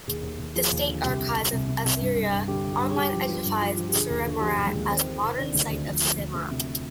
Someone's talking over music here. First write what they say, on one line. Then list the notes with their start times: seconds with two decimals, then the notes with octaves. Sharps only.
The State Archives of Assyria Online identifies "Surimarrat" as the modern site of Samarra.
0.07 D#2 G#4
0.23 D#2
0.39 D#2
0.56 F3 G#4
0.72 D#2
0.87 D3
1.04 C2 G4
1.20 C3
1.36 C3
1.52 C2
1.68 C3
1.85 C2
2.00 G2
2.16 G2
2.32 G2
2.48 D3 G4
2.65 D3
2.73 G4
2.80 G2
2.90 G#4
2.96 G2 G4
3.14 F3
3.29 F3
3.44 G2
3.62 F3
3.77 F3
3.88 G4
3.93 D3 G#4
4.10 D#2
4.25 D3
4.41 F3 G4
4.58 D#2
4.66 G#3
4.74 D#2
4.90 D#3 C4
5.06 D#3
5.22 C3
5.38 D#3 D4
5.54 D2
5.70 D2
5.87 F3
6.03 F3
6.18 D2
6.34 D2
6.51 C3